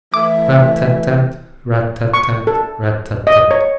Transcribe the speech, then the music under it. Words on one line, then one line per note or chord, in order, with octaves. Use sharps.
'RAT--tat-tat, RAT--tat-tat, RAT--tat-tat.'
E3 A3 E5 D6
C#6
A4
D#5
C#5